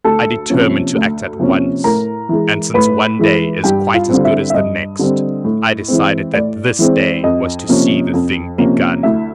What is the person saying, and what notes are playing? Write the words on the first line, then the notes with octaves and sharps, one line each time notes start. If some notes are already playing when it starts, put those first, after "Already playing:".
I determined to act at once; and since one day is quite as good as the next, I decided that this day was to see the thing begun.
D2 A4 A5
C3 F3 A#3 C#4
D2
C3 F3 A#3 C#4
A2 A#4 A#5
E3 G#3
A2 B4 B5
E3 G#3
G2 G4 G5
F4 F5
D3 G3 C4
E4 E5
E5
G2 D#5
D3 G3 C4
A2
E3 G#3 C4
A2 D5
E3 G#3 C4
F2 D#5
C3 F3 A#3 C#4
F2
C3 F3 A#3 C#4
D2 E4 E5